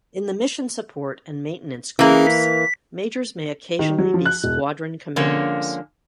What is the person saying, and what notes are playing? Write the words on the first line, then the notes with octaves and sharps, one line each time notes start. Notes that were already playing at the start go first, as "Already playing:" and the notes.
In the mission support and maintenance groups majors may occasionally be squadron commanders.
E3 A#3 C#4 G#4
B6
D#3
F#3
F3
F#6
E1
D3 F3 G#3 A#3 C#4